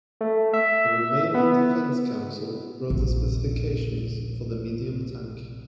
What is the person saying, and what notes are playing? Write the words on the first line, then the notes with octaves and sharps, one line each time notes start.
The Romanian Defense Council wrote the specifications for the medium tank.
A3
E5
B3
A#1 D#2